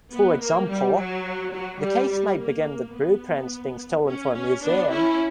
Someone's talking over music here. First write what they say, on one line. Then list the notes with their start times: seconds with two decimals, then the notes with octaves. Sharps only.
For example, the case might begin with blueprints being stolen for a museum.
0.12 B3
0.40 A#3
0.69 G3
0.96 F#3
1.53 F#3
1.81 G3
2.09 G3
2.37 A#3
2.93 B3
4.05 C#4
4.34 C#4
4.62 B3 D4
4.90 C#4 E4